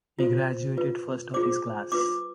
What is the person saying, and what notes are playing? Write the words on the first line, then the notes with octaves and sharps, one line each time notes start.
He graduated first of his class.
F4 C5
F4 B4
F4 G#4 C5 D6
F4 B4 D6